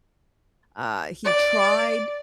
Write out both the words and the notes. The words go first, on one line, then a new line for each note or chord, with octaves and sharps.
Uh, he tried
D5